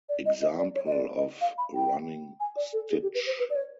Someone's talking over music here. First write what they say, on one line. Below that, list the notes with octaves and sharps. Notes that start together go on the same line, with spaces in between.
Example of running stitch.
D5
D#5
D#5
D5
C#5
D#5
D5
D#5
F5
B5
G5
G#5
D5
A4
G#4
G4
B4
C5
B4
D5
C#5